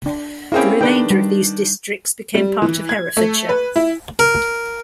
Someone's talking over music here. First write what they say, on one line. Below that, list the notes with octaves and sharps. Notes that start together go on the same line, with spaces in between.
The remainder of these districts became part of Herefordshire.
D4
A#3 C4 C#4 E4 G#4 G5
D#3 D4 B4 G5
G3
G3
E3
G#6
A3
B4
E4
A#4